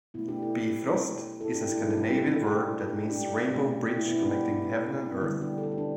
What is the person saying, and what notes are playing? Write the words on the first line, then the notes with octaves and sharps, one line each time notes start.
Bifrost is a Scandinavian word that means "rainbow bridge connecting heaven and earth".
B2 A3 B3 E4
D4 G4
E4 A4
E4 A4
D4 G4
E4 A4
B2 G3 E4 A4
D4 G4
E4
D4
G4
A4
D4 G4
D4 G4
B2 A3
B3 E4
B3 E4
D4 G4
D3 G3 B3 E4
D4 G4
A4
D4 G4
A4
D4 G4